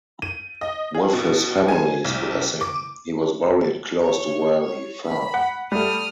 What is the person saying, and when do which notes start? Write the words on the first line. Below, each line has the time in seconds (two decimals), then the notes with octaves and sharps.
With his family's blessing, he was buried close to where he fell.
0.22 D#7
0.61 D#5
0.95 G#4
1.13 B2
1.68 G#5
2.05 C2
2.61 D6
4.02 C#5
4.61 C#5
5.04 B5
5.34 F#5
5.72 G3 A3 D#6 F6